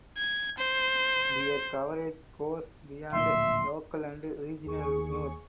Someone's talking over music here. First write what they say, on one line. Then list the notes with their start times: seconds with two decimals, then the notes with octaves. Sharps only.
Their coverage goes beyond local and regional news.
0.17 G#6
0.58 C5
3.13 D1 A#1 A#2 E5 C6
4.65 D#2 G#4 C#6